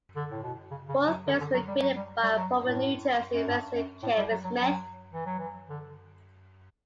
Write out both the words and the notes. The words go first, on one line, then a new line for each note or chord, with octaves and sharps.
Both films were created by former New Jersey resident Kevin Smith.
D3
A2
B2
C#3
C#3
F#3
D3
D3
F#3
G3
F#3
G3
G3
F#3
A2
F#2
G2
F#2
A2
G3
F#3
F#3
F#3
E3
F#3
E3
D3